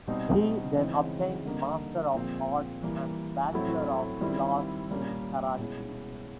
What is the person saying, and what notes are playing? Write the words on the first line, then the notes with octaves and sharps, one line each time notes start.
He then obtained Master of Arts and Bachelor of Laws in Karachi.
B2 G3 C4 D#4
C#3 E3 G#3 C4 D#4
D3 G3 A#3 D#4
A#2 F3 G#3 C4
E3 G3 A#3
A2 F#3 A3 C4 E4
D#3 G3 C4 E4
A#2 G3 A#3 C#4
B2 G#3 C#4 E4